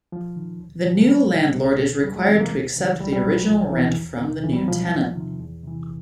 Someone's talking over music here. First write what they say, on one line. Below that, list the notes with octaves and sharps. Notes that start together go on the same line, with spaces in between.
The new landlord is required to accept the original rent from the new tenant.
D#2 F3
D#3
D2
C#3 E3
D#2 G3
D#3
C#2
B2
E2 G3
G#3
C3 E3 C4
A#3
D2
C#3 E3
C2 G3
G3
B2 F#3
C2 F3
B2 E3
E2
C3 D#3
C#2 E3
G3
F#3
B2 F3
E2
C3 D#3
E2
C3 E3